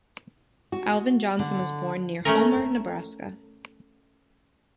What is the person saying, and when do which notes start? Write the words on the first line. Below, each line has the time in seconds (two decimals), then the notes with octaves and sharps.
Alvin Johnson was born near Homer, Nebraska.
0.72 F#4
1.39 D3
2.25 A3 C#4 A#4